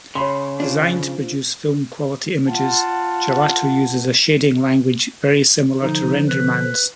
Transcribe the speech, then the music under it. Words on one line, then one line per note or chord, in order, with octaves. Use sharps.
Designed to produce film-quality images, Gelato uses a shading language very similar to RenderMan's.
C#3 C#5 B5 C6
D4 F4 C5
F4 F#5 A5
D3 F3 D#4
B4